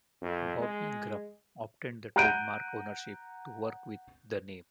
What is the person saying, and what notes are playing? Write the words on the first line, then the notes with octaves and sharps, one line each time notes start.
Bobby Ingram obtained the trademark ownership to work with the name.
F2
G#3
F#5 A#5 F#6 G6 D7 D#7